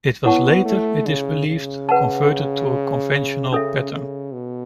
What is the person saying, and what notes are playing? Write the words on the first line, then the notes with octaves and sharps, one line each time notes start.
It was later, it is believed, converted to a conventional pattern.
B3 E4 C#5 F#5 A5 C#6
A3
C#3
C#3
B4 F#5 A5
C#3 C#4 A4 E5
C#3
B2